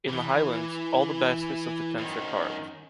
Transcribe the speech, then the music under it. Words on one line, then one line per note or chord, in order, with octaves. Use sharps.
In the highlands, all the baskets of the tents are carved.
E3
F#2 D#3